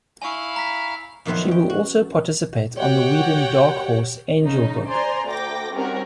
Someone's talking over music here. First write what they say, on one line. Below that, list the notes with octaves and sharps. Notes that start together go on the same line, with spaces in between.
She will also participate on the Whedon-Dark Horse "Angel" book.
E4 F5 G#5 C#6
A#5 B6
F2 D#3 F#3 B3 C5 E5
C#4 G5
F#4
F#4 G4 C#5 F#5 G5
C#3 D#4
C5 D5 G#5 A#5 C6
D2 G5 D6 A#6
D#3 G3 C4 C#4 F#4 A#4